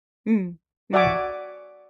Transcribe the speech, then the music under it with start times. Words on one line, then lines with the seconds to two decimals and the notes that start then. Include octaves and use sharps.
Mm, mm.
0.93 F#4 D5 E5 F#5 G#5 D6